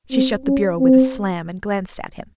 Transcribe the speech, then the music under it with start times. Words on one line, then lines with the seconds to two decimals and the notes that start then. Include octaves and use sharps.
She shut the bureau with a slam, and glanced at him.
0.11 C4
0.45 C#4
0.79 C4